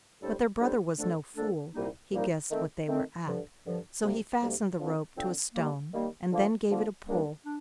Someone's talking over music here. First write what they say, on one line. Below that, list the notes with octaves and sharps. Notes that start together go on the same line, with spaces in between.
But their brother was no fool; he guessed what they were at, so he fastened the rope to a stone, and then gave it a pull.
A2 G3 D4 A4 C5
A2 G3 D4 A4 C5
F2 D3 A3 D4 A4
F2 D3 A3 D4 A4
C2 A#2 G3 A#3 D#4
C2 A#2 G3 A#3 D#4
D#3 A3 C4
D#3 A3 C4
G2 D3 F3
G2 D3 F3
D2 C3 G3 A#3
D2 C3 G3 A#3
D3 F3 C4
D3 F3 C4
D#3 G3 A#3
D#3 G3 A#3
D3 F3 A#3
D3 F3 A#3
D#2 D#3 G3 A#3 D4
D4